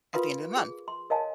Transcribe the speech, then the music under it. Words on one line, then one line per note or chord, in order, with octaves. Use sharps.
at the end of the month,
F4 A#4 B4 F5 C6 D#6
G#4
C6
A#4 C#5 D#5 F5 G#5 A5